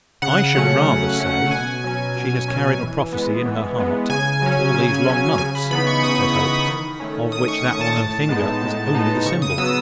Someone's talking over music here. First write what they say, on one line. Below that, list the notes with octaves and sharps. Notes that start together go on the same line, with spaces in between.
"I should rather say she has carried a prophecy in her heart all these long months," said Hope, "of which that on her finger is only the symbol."
C#3 F#5
F#3 A3 C#4
C#3
F#3 A3 C#4
B2 G#5
F#3 C#4
B2
F#3 C#4
E3
G#3 B3
E3
G#3 B3
C#3 G#5
F#3 C#4
C#3
F#3 C#4
C#3 G#5
B5
E3 B3 D#4 B5
C#6
C#3 D#6
E3 B3 D#4
D#3
A3 C#4
D#3 D#6
C#6
A3 C#4 C#6
A5
A2 A5
G#3 B3 D#4
A2
G#3 B3 D#4
C#3 C#6
D#6
F#3 B3 E6